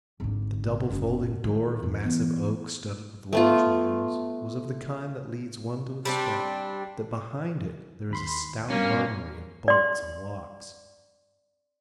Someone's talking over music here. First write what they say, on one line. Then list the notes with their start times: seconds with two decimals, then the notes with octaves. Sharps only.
The double folding-door of massive oak, studded with large nails, was of the kind that leads one to expect that behind it there is a stout armoury of bolts and locks.
0.20 G#1 D3
0.90 F#1
1.44 D#3
1.82 F2
2.04 E3 B3
3.33 A3 B3 F4
6.05 G3 C4 D4
8.11 D#2 B5 C6
8.70 G2 B2 A#3 C#4
9.68 D5 C6